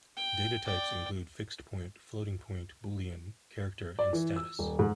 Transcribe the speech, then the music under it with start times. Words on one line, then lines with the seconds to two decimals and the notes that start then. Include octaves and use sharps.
Data types include fixed-point, floating-point, boolean, character and status.
0.17 G5
0.65 D5 G5
3.99 D5
4.13 E3
4.36 E6
4.59 D#1
4.79 G#2